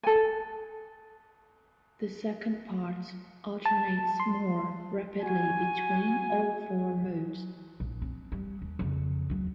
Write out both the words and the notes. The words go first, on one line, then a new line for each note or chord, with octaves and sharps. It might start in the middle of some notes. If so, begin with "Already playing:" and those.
The second part alternates more rapidly between all four modes.
A4 G#5
A5
C6
F#4 G#5
A#1
C4
G3
D#2
F2 C#3
D#2 F#3